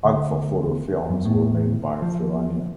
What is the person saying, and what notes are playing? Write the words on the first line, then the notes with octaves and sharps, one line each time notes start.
AgfaPhoto films were made by Ferrania.
D2
F#2
A2
F3